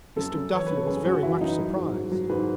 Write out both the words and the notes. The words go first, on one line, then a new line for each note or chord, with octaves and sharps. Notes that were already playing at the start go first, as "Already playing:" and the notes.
Mr. Duffy was very much surprised.
F#2 A4
F#2
E3 C#5
F#2 B4
A4
F#2 G#4
F#2 F#4
E3 E4
F#2 D#4
F#3
G#2
F#3
F#3
G#2 B4